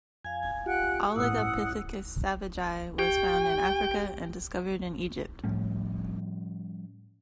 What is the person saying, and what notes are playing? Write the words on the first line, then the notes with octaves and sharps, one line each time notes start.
"Oligopithecus savagei" was found in Africa and discovered in Egypt.
F2 F5 G#5 G#6
F4 G4 F#5 G5 F#6
A1 G2 E4 F#5 D#6 E6 F#6
G4 G5
A2 F3 G3 C#4